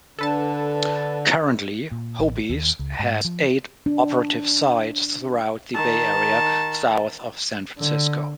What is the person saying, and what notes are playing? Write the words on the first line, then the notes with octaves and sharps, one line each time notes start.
Currently, Hobee's has eight operative sites throughout the Bay Area south of San Francisco.
D3 A4 B4 A5
A#2
A1
D#2
C#2
G#2
F3
D4
D#3 A5
D3